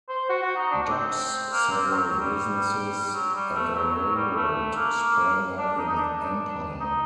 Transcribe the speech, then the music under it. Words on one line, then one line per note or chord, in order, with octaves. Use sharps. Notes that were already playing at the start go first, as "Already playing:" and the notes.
Docks, several businesses, and a railroad sprang up in Empire.
C5
F#4
F#4
D#4
D4
D4
C4
A#3
C4
F#3
F#3
G3
F#3
G3
A3
F#3
F#3
G3
A3
A#3
D4
D#4
D#4
D4
D#4